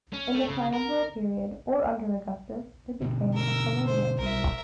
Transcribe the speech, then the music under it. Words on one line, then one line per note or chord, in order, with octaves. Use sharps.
In the triumviral period or under Augustus it became a colonia.
C#4
A3
C#3
A#4
B2 D3
A#4 E6
C5
B1 G3 A#4 E5